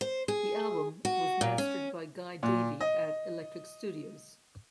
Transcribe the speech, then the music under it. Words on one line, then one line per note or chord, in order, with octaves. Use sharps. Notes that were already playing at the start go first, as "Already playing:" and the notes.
The album was mastered by Guy Davie at Electric studios.
C5
G#4
F#4
A#2
C#4
A#2
D#5